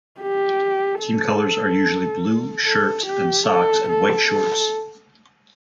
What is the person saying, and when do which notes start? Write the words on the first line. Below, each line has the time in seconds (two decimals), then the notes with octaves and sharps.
Team colours are usually blue shirt and socks, and white shorts.
0.20 G4
1.02 A4
2.66 A4
3.06 G4
3.47 A4
3.89 A4
4.29 A4